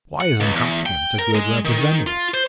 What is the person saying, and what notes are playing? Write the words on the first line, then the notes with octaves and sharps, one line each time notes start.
"Why isn't Hopkins a good Representative?"
F#5
C#2
E2
G5
A#4
G#3
D#3
D#3
F4
C5